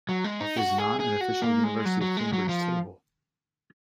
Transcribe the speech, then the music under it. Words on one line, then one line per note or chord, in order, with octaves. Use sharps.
It is not an official University of Cambridge table.
F#3
G#3
D#4
F#4
G#4
G#4
F#4
A#3
G#3
F#3
F#3
G#3
F#3
F3